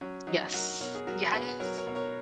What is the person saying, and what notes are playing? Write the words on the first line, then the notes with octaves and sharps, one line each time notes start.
Yes. Yes!
F#3 C#4
F#3 D#4
F#3 F#4 A#4
B2 A#4 C#5
G#4
F#3 F#4 A#4
B2 G#4 B4
F#3 A#4 C#5
A#4 C#5
B2
A#4 C#5